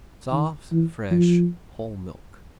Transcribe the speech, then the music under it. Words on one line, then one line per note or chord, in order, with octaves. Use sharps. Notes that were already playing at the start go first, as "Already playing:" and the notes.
Soft, fresh, whole milk.
D#3
E3
F3